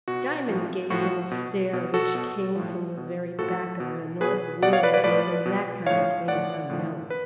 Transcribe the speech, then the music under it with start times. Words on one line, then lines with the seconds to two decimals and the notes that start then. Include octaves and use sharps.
Diamond gave him a stare which came from the very back of the north wind, where that kind of thing is unknown.
0.08 B2 F#4
0.49 A2 F3
0.90 A2 F3 F#4
1.31 B2
1.73 B2
1.94 F#4 A4
2.15 B2
2.56 A2 F3
2.97 B2
3.38 A2 F3 F#4 A4
3.80 B2
4.21 B2 G#4 B4
4.63 B2 D5 F#5
4.73 C#5 F5
4.83 B4 D5
4.94 B4 D5
5.04 A2 F3 B4 D5
5.46 B2
5.86 A2 F3 C#5 F5
6.28 A2 F3 D5 F#5
6.70 A2 F3
7.10 B4